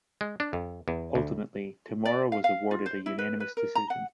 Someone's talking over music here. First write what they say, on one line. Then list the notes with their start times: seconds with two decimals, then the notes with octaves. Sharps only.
Ultimately, Tamura was awarded a unanimous decision.
0.21 G#3
0.40 D4
0.53 F2
0.88 E2
1.15 D2
2.05 D5
2.32 F5
2.44 F5
2.71 F4
2.86 C5
3.06 E4
3.19 B4
3.40 B4
3.57 A#4
3.75 A#5
3.90 F#5